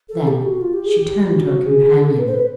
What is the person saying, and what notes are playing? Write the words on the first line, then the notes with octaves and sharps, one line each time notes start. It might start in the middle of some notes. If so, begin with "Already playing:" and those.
Then she turned to her companion.
A4
G4
F#4
F4
G4
G#4
G4
F#4
G#4
A4
B4
C5
B4